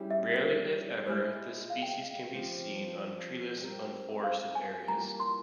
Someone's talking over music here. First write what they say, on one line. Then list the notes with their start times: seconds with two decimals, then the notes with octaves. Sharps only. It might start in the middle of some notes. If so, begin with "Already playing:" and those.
Rarely, if ever, this species can be seen on treeless, unforested areas.
Already playing: G3 C#4 E4 G#4
0.11 E5
0.43 A#4
1.06 G#3 E4 G#4 C5
1.70 F5
1.82 G5
1.94 F5
2.33 F3 C4 G4
3.61 G3 C4 G4 A#4
4.24 F5
4.55 G#5
4.88 E3 G3 A#3 F4 A#5
5.20 C6